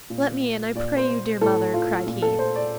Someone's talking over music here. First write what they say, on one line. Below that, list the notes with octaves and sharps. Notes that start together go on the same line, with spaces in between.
'Let me in, I pray you, dear mother,' cried he.
A#2
A#2 D5
C5
A2 A4
F4
A#2
A4
C5
D5